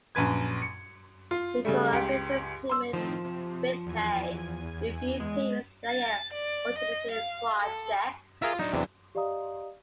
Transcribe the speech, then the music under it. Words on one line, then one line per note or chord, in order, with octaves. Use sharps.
Before approving payment, Bidpay reviewed payments via automated fraud checks.
A#1 F#2 B4 G#6
C#7
F4
C#3 G3 A3
C#2 G4
C6 E6
A2 D#3 F3 C4
C3
E2 G#5
G#3
A6
D5
D#5
F5
A4
F4 G#4 A#4 E5
F#3 D4 D#4
E2 C3
G4 D5 D#5 F5 A#5 D#6